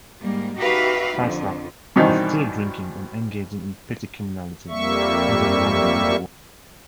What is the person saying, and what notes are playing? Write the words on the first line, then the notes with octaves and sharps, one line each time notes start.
Falstaff is still drinking and engaging in petty criminality in the London underworld.
G#2 G3 A#3
D#4 F#4 G4 B4 E5 F5
F2 D3
G2 B2 D#3 E3 C4 D#4
F2 G3 A#3 E5 C#6